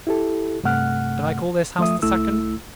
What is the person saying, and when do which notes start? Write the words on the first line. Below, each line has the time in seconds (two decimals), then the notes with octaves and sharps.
Did I call this house the second?
0.07 E4 G4 A4
0.64 G2 C3 A3 F#5 F6 F#6
1.79 F3 A3 E5 D#6
2.02 C2 A3 E4 E6